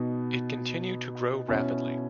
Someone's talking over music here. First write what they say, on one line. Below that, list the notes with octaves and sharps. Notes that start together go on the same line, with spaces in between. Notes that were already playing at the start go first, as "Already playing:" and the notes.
It continued to grow rapidly.
Already playing: B2 B3 D#4
B2 C#4 E4